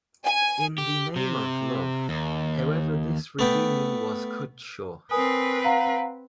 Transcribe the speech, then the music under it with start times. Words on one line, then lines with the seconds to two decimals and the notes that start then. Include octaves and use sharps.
In the Name of Love, however this reunion was cut short.
0.25 G#5
0.78 G4
1.16 C3
2.09 D#2
3.39 A3 B3 G5
5.11 C4 A#4 B4 G#5 D#6
5.64 F5 F#5 A#5